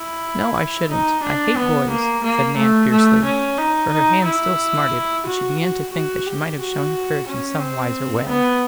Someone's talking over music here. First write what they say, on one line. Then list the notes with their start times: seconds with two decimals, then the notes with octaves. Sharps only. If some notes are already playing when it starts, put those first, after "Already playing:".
"No, I shouldn't; I hate boys!" said Nan fiercely, for her hand still smarted, and she began to think that she might have shown her courage in some wiser way.
Already playing: E4
0.89 D#4
1.23 D4
1.56 B3
1.90 A#3
2.23 A#3
2.57 A3
2.90 A3
3.24 C#4
3.58 D#4
3.91 D#4
4.25 E4
5.26 F#4
5.59 F#4
5.93 F#4
6.26 G4
6.60 F#4
7.27 C#4
7.60 C4
8.27 B3